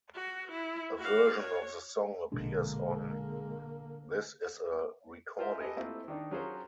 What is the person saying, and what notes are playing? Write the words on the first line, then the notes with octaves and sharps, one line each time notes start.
A version of the song appears on "This Is a Recording".
F#4
E4
F#4 F5
C#5
A#1 B2 D3 G#3 A#3 D4
F4 A#4 C5 E5
G4 A4 B4 D#5 G#5
A3 A#3 C4 E4 F4 C5
D#3 D4 D#4
F#3 C#4 F4 G#4 A#4 C5